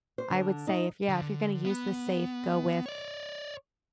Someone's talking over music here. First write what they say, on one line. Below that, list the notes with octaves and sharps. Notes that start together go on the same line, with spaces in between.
I would say if yeah, if you're gonna use the safe, go with
C5
D3
D#4
D3
B3
C#5 D5